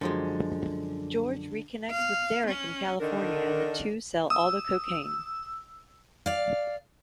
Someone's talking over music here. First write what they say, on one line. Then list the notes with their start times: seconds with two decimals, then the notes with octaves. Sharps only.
George reconnects with Derek in California, and the two sell all the cocaine.
0.01 F#2 D3 F3 G#3
1.91 F5
2.47 C#4
3.00 D3 D#3 D4 A#4
4.30 D#6 E6
6.26 D5 F5